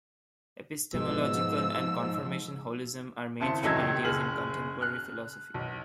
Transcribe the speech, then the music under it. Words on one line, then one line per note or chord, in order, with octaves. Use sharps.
Epistemological and confirmation holism are mainstream ideas in contemporary philosophy.
G#2 B2 F3 G#3 E6
G#1 C#3 E4 A5 C6 C#7
A1 F#3 A3 D#5 E6 G#6
C#2 G4
F#1 G#4 F6 F#7
F6 F#6
B1